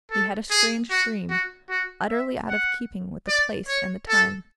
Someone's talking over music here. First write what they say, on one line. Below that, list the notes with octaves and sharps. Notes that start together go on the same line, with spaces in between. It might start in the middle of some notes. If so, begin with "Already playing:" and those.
He had a strange dream, utterly out of keeping with the place and the time.
A4
G#4
F#4
F#4
F#4
E5
F#5
D5
C#5
A4